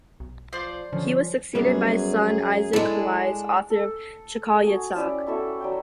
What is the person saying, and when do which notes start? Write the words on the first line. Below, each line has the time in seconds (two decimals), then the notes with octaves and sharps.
He was succeeded by his son, Isaac Weiss, author of "Chakal Yitzchak".
0.20 B1
0.53 F3 C5 D5
0.93 D3 F3 C#4
1.55 F#2 G3 B3 G#4
2.73 G#3 D4 E4 A4 A5
3.70 A4
4.64 F#4 G#4
4.94 C#4 E4 G4 D5
5.26 E4 F#4 A4 E5
5.60 F#3 G3 G5